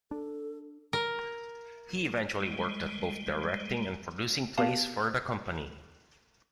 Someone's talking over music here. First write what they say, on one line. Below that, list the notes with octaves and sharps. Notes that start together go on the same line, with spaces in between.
He eventually worked at both directing and producing plays for the company.
D4 A4
A#4
G3 G#3
B3 G4 F5 A5